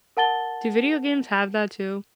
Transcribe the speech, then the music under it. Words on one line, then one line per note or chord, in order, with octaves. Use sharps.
Do video games have that too?
A#4 F#5 A5 A6 G7